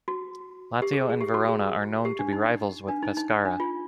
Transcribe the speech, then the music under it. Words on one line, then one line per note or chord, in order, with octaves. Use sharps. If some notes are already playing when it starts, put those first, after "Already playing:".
Lazio and Verona are known to be rivals with Pescara.
F#4
G4
G#4
G#4
G4
F#4
G#4
G4
D4
D#4
D4
D#4
D#4
D4
F4